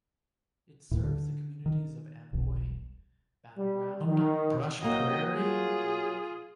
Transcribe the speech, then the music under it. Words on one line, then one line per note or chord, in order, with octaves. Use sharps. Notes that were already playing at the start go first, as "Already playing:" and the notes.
It serves the communities of Amboy, Battle Ground, Brush Prairie and Yacolt.
D#2 A2
D3
D#3
E1 B1
G3
D#3
F#3 A#3 D#5 G5
F4 G#4